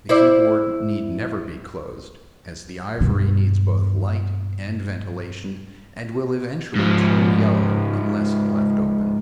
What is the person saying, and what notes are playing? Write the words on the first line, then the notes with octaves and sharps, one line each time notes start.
The keyboard need never be closed, as the ivory needs both light and ventilation and will eventually turn yellow unless left open.
E4 C5 D5
G2 B2
G#2 F3